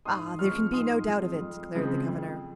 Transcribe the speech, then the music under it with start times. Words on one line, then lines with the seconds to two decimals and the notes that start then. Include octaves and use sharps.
"Ah! there can be no doubt of it," declared the governor.
0.05 G#2 C6 D#6
0.39 F3 G#3 C4 C#6 F6
0.73 G#2 C6 D#6
1.07 F3 G#3 C4
1.41 F2
1.75 C#3 F3 G#3 C4
2.09 F2